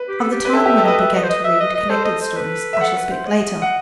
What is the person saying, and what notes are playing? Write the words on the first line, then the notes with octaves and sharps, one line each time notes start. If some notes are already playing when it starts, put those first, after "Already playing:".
Of the time when I began to read connected stories I shall speak later.
Already playing: B4
G4
A4
G4
B4
A4 E5
G4 E5
A4
B4 D#5
B4 E5
D#5
C5
D#5
E5
D#5
D#5
A4 C5
D#5
C5
B4
E5
A4 F#5
B4
C5
D#5
F#5